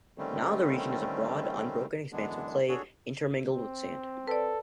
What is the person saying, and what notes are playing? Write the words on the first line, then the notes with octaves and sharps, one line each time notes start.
Now the region is a broad, unbroken expanse of clay intermingled with sand.
D3 D#3 G3 A3 C4 C#4
F#2 D3 E3 G#3 B3 D4
D4 F#4 G#4 A4 C#5
C4
A4 B4 D5